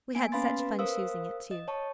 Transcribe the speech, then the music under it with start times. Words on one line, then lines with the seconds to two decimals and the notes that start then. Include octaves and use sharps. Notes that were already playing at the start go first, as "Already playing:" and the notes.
We had such fun choosing it, too.
0.15 A#3 B3 G#5 D7
0.32 C#4 B4 F5 B5 C6 A6
0.60 B4
0.79 A#4 C5 F5 D#6 E6
1.51 D#5
1.68 C#5 A5 C#6